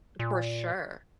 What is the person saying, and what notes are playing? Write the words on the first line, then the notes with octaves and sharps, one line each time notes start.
For sure.
A#2